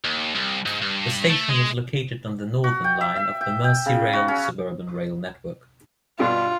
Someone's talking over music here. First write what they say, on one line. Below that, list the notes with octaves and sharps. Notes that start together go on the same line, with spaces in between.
The station was located on the Northern Line of the Merseyrail suburban rail network.
D#2
C2
G#2
G2
A3
G#3
F#4
G5
E5
E5
G5
G5
C#3
F#4
C#4
G2 B2 D4 F4